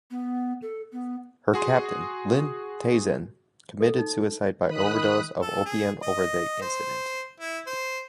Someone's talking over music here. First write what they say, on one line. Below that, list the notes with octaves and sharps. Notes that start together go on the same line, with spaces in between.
Her captain, Lin Taizeng, committed suicide by overdose of opium over the incident.
B3
A4
B3
F#4 G#4 C6
A4
D#4
D#3 B5 D#6 F#6
A4
G#4
D#5
C5
E4
C5